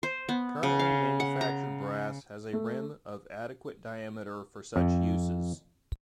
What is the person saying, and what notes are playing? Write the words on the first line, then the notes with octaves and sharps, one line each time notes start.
Currently manufactured brass has a rim of adequate diameter for such uses.
C5
B3
C#3
F5
F#5
A#5
A3
F2